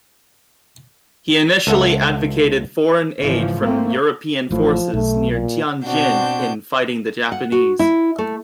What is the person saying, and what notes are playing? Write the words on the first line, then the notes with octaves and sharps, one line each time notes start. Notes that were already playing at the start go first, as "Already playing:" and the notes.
He initially advocated foreign aid from European forces near Tianjin in fighting the Japanese.
C#2 A4 E5 F#5
G#1 G#2 C#3 E3 F3
A3 A#3 C4
A1 A2 F3
B1 A3
A#2
B2 C4 D4 F#4 G6
F#5
F#4
E4
A3